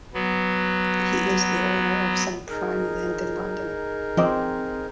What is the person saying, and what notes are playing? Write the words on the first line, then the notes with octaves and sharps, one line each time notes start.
He is the owner of some prime land in London.
F#3 B3
D#4 G#4 A#4
F3 C4 D#5 D6